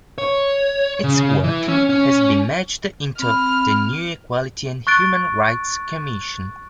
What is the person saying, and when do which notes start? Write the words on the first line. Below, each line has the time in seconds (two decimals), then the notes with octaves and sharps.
Its work has been merged into the new Equality and Human Rights Commission.
0.18 C#5
1.04 C#3
1.44 E3
1.68 C#4
1.89 C#4
3.19 C4 B5 F6
4.87 C#6 F#6 A6 D7